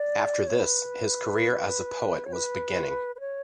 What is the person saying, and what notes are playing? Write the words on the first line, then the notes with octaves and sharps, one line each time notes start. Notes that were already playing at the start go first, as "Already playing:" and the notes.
After this, his career as a poet was beginning.
Already playing: D5
C#5
B4
C#5
B4
B4
C#5